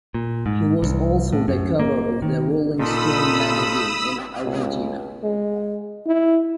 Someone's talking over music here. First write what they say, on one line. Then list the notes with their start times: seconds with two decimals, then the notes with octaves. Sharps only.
He was also the cover of the Rolling Stone magazine in Argentina.
0.14 A#2
0.46 G#2
0.82 C2
1.33 A2
1.48 F#2
1.80 A#3
2.22 D#3
2.79 A#2 D#4 F4 A4 B5 D#6 E6
4.44 C#2
5.23 G#3
6.06 E4